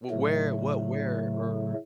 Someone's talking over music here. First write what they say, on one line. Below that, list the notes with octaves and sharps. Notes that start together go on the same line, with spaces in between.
Well, where what where or
A2 C#3 F#3 A3